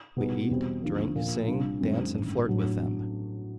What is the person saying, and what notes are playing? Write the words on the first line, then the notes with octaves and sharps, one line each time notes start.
We eat, drink, sing, dance, and flirt with them.
B2 G3 B3 D#4 G#4
E2 B2 G3 C4
D#2 D3 F3 A#3
A#2 F3 A#3
C2 A#2 G3 A#3 D4
F#2 D#3 G#3 C4
A1 G2 D#3
A2 F#3 B3 D4